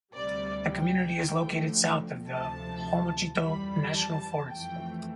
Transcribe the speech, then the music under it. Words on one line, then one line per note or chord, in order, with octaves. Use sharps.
The community is located south of the Homochitto National Forest.
D2 C3 G3 D5
G5
D2 D3 F3 A3
D2 C3 F3 A3 A5
F2 E3 G3 B5
A5
F2 E3 A3 G5